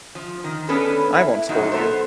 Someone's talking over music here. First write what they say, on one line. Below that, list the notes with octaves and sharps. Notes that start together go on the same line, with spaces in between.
I won’t scold you.
F3
D#3
B3 C#4 D4 A4 B4
E4
F#2 A#2 F#3 D#4
B3 A4 C5